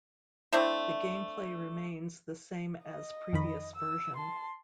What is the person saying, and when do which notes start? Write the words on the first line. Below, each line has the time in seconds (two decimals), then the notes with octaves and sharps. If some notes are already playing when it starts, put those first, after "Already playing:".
The gameplay remains the same as previous version.
0.52 A3 C4 D4 E4
2.83 D#5
3.33 F2 D#3 B5
3.76 E6
4.16 A5 C6